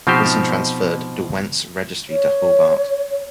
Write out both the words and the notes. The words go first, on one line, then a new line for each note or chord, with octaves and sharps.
Wilson transferred "Derwent"s registry to Hobart.
B2 F3 C4 D#4 G4 C5
C#5